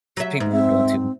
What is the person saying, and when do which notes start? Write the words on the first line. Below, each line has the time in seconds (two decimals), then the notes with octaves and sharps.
These people are doing too much.
0.17 F#3 E5
0.40 G#2
0.52 C4 E5